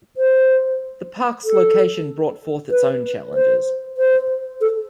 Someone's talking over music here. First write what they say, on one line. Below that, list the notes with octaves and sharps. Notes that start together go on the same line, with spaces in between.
The park's location brought forth its own challenges.
C5
A4
B4
C5
C5
A4